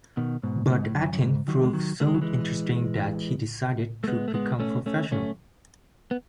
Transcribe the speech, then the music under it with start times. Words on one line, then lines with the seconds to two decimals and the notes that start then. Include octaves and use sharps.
But acting proved so interesting that he decided to become professional.
0.17 B2 D#3
0.43 G#2 B2
0.69 A2
0.77 G#2
0.84 A2
0.95 F#2
1.13 F#2
1.22 G#2
1.48 D#3 F#3
1.63 G#3
1.73 D#3 F#3
2.00 A3
2.07 G#3
2.15 F#3
2.22 E3 G#3
4.04 A3
4.08 G#3 B3
4.28 A3
4.34 G#3 B3
4.60 A3 C#4
4.86 A3 C#4
5.12 A3 C#4
6.11 B3